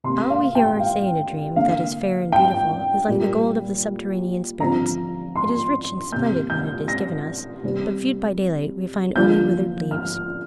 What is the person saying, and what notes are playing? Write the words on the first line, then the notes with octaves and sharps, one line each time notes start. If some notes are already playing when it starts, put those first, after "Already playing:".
All we hear or say in a dream that is fair and beautiful is like the gold of the subterranean spirits; it is rich and splendid when it is given us, but viewed by daylight we find only withered leaves.
C3 C6
A#3
F5
G5
F5
D3 A#3 F5
G5
A#2 G3 A#3
D3 F3 C4 A#5
C6
C3 A#3 G6
G6
A#6
C3 G3 C4
D3 F3 A#3 G6
F6